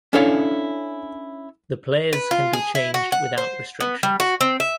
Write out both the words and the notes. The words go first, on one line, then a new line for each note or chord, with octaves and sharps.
The players can be changed without restrictions.
C#4 D4 E4 A4 C#5 F5
B4
F4
G#4
E4
F#4
F#5
C5
B3
G3
F#4
C4
E5